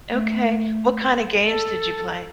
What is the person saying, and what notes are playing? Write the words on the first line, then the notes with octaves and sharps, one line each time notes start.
Okay. What kinda games did you play?
A3
A4